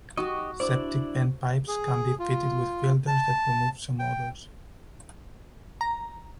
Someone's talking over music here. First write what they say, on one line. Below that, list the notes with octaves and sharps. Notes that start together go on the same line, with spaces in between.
Septic vent pipes can be fitted with filters that remove some odors.
D#4 F#4 G4 D#5 C#6 D#6
D4 E4 C5 D5 D6
G#4
F4
A5
G5
A#5